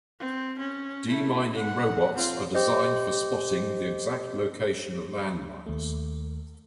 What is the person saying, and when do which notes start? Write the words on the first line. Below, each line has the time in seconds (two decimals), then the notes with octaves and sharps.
Demining robots are designed for spotting the exact location of land mines.
0.20 C4
0.59 C#4
1.08 A3 E4
1.57 F#5
2.14 C4 F4
2.55 G4 C5 D#5
5.66 D#2 A3